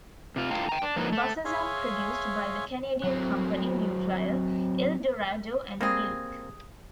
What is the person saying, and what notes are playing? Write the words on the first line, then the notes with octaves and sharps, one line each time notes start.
Buses are produced by the Canadian company New Flyer, Eldorado, and Gillig.
C3 F4
A2 D3 F4 F5 G5 A#5
G5 A#5
D4
F3 F#3 A#3 D#4 B4
A3
G#4 C#5 E5 F5 G#5 C6
F#3 C4
G3 A#3 C4 G#4